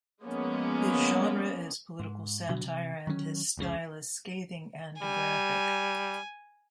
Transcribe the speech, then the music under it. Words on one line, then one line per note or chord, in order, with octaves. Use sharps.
His genre is political satire and his style is scathing and graphic.
F3 G#3 A#3 B3 C#4
G#2
B2 D3 F#3
C3
D#3 F#3 A3 C#4
F1 C#2 A2 C#3
G3 G#5